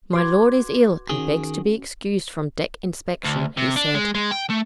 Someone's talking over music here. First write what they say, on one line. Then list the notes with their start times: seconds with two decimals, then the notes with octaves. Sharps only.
"My lord is ill, and begs to be excused from deck inspection," he said.
0.13 F#4 B4 C6 D6 G#6
1.09 D#3 C#4 F#4 G#4
3.24 D2
3.57 C3
3.76 D4
3.94 G#3
4.15 G#3
4.31 G5
4.50 A3